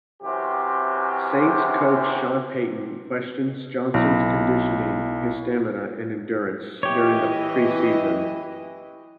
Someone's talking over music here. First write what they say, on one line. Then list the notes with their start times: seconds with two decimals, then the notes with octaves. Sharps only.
Saints coach, Sean Payton, questioned Johnson's "conditioning, his stamina and endurance" during the preseason.
0.22 F#2 C3 E3 C4 G4
3.94 B1 E4
6.83 E3 G4 C#5 D#5